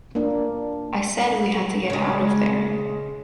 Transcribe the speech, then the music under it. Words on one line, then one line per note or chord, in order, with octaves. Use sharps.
I said we had to get out of there.
A#3 D4
C#3 G#3